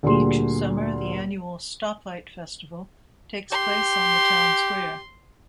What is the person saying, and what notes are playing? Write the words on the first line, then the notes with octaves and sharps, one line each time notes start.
Each summer, the annual Stoplight Festival takes place on the town square.
D2 A#2 G3 G#4 C6
G4 C6